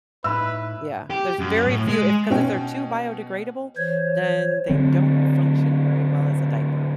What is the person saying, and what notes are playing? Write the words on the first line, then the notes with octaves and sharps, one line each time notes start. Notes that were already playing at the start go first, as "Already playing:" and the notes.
Yeah, there's very few if 'cause if they're too biodegradable, then they don't function very well as a diaper.
A2 D#4 B4 E5 B5 E6
G4
F#2
A2
G#3
B2 C#4 G5
E3 C5 C#5
D3 F#3 C4